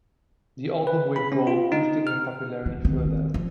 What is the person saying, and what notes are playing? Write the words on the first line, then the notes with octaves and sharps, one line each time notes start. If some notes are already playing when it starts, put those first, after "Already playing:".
The album went gold, boosting her popularity further.
B4
B5
C#4
F4
D#4
F6
E3
D#3 C4
F3